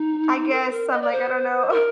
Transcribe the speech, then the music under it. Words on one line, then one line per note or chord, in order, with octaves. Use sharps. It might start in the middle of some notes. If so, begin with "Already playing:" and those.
I guess I'm, like, I don't know,
Already playing: D#4
A#4
C5
A#4
D#5
D5
C5
A#4